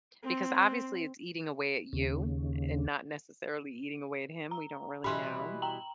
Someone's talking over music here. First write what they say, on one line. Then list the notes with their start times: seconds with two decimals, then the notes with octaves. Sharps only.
because obviously, it's eating away at you and not necessarily eating away at him. We don't really know.
0.23 C4
1.93 D#2 C#3
4.51 A#5
5.04 B2 E3 G3 B5 C6
5.62 G5 A#5 F#7